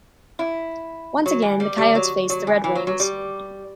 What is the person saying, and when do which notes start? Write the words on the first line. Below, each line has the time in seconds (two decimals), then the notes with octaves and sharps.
Once again, the Coyotes faced the Red Wings.
0.39 E4
1.26 F#3
1.42 E3
1.60 G3
1.78 G3
1.95 F#3
2.30 F#3
2.47 E3
2.64 E3
2.75 F#3
2.87 F#3
3.00 G3